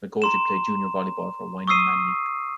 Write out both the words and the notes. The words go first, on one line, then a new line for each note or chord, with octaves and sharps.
McGoldrick played junior volleyball for Wynnum Manly.
A#5 C6 E7
C#6 D#6 E6 C7 D#7